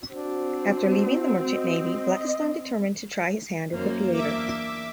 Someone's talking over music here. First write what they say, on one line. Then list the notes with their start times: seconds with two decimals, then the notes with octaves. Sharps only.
After leaving the Merchant Navy Blakiston determined to try his hand at the theatre.
0.11 C4 D4 F#4 C5
1.53 D#5
3.73 F#2 D#3 A#3 C5
4.15 E2 D4 E5 D6